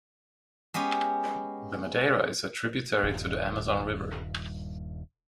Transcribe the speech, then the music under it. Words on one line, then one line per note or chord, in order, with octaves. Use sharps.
The Madeira is a tributary to the Amazon River.
G#3 B3 C#4 G4
D#1 G2